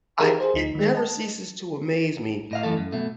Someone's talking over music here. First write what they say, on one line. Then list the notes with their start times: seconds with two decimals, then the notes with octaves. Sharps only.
I it never ceases to amaze me
0.19 D#4 G4 G#4 A#4 E5 F5
0.40 G#4 C5
0.54 D2 D#4 B6
0.75 D#3 G#3
0.95 D#5 A5
2.51 A2 D#5 F5
2.63 F#2 E3 A3 A4
2.77 F#2
2.92 B2 A3